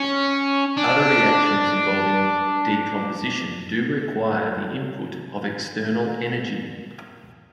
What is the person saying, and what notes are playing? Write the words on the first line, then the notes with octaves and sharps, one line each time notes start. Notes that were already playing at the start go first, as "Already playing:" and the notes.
Other reactions involving decomposition do require the input of external energy.
Already playing: C#4
D4